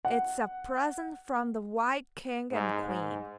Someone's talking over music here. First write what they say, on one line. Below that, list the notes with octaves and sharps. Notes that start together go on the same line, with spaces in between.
It's a present from the White King and Queen.
F#5
G#2
G#2